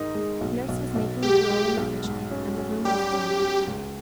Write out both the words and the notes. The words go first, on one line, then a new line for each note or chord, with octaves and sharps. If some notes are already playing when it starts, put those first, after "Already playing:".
Nurse was making gruel in the kitchen, and the room was dim and quiet.
Already playing: G#2 D#3 D#4
G#3
B1
B1
B1
G#3 G4
G#3
B1
G#2
C#4
C#4
G3 G4
C#4
C#4
C#2